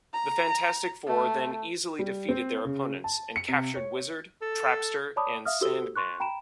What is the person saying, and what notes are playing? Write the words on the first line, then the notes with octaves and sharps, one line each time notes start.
The Fantastic Four then easily defeated their opponents, and captured Wizard, Trapster, and Sandman.
A#5
A3
G3
C4
C#3
A5
C#7
C3
C#5
A4
C#5 D5 A5 B5 D6 D#6
E5 F5 D#6 F6
F#4 G4 A4 C5 E6 G7
C6 C#6 F#6
G5 A#5 B5 D7 E7